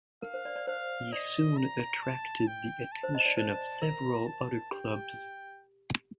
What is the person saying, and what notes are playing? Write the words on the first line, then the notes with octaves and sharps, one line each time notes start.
He soon attracted the attention of several other clubs.
A#4 F5
C5
D5
D5
C5 F5
D5 D#5
A#5
A5
G5
A5
C5
D#5
D5
C5 A5
A#4 A#5
A5
G4 G5